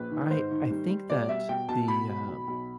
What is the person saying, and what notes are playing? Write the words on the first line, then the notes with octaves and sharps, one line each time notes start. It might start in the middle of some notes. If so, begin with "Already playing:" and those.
I I think that the, um
Already playing: A#1 B4
D#3
G#2 C5
D#3
G3
G3
B2 D5
G3 E5
B2 G5
B1 A5
B2 B5
B1
B1
B1